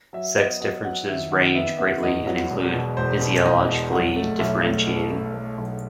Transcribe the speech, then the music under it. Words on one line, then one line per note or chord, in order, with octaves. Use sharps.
Sex differences range greatly and include physiologically differentiating.
F#3 E5
B3 D#5
F#3 D#5
F#3 F#5
D#3 E5
D#3 F#5
B3 E5
B3 E5
E2 D#5
F#3
E1
B2
E1 C5
B2
E2 D#5
B2
B1 F#5
A3
B1 E5
A3
B2
A3
A3
B1